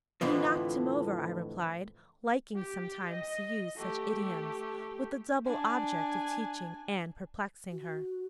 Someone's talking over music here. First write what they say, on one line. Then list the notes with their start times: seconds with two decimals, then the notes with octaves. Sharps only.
'He knocked him over,' I replied, liking sometimes to use such idioms, with the double object of teaching and perplexing her.
0.21 F2 A2 D3 E3 F3
2.55 G4
3.10 D#5
3.77 A3 G4
5.45 D4 G#5
7.72 F#4